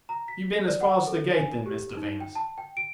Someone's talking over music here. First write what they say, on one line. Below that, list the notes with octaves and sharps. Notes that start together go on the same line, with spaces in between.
'You've been as far as the gate then, Mr Venus?'
A#5
B6
D5
F#5
A4
G#5
G4
D#4
G5
A5
G5
D7